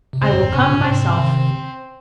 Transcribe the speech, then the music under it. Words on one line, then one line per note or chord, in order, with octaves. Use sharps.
"I will come myself."
C3
A#2 C#3 C4
F#2 A#2
F2 G#2
G#2 C3 C#4
A#2 C#3
G#2 C3
G#2 C3 C4
C3 D#3